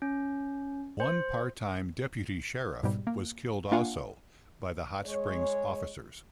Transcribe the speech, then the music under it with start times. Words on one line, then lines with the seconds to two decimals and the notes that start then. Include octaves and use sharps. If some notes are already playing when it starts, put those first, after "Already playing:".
One part-time deputy sheriff was killed also, by the Hot Springs officers.
0.02 C#4
1.00 C5
2.83 G#2 B2 G3
3.07 A#3
3.72 A#3 D4 F4 F5 F#5 G#5
5.05 G#3 C#5